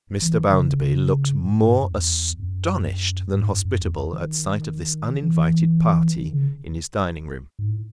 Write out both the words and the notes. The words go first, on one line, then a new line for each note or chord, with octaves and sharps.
Mr. Bounderby looked more astonished than hospitable, at sight of this uninvited party in his dining-room.
E3
D#3
C#3
A2
G#2
F#2
E2
F#2
G#2
F#2
F#2
E2
D#3
E3
D#3
C#3
G#2
A2